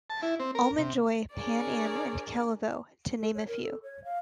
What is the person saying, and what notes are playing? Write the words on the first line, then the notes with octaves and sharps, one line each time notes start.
Almond Joy, Pan Am and Calavo to name a few.
A5
E4
C4
A#4
C3
D4 G#4 A#4 C#5 D5
A4
C#5
A#4
A4
C#5
F5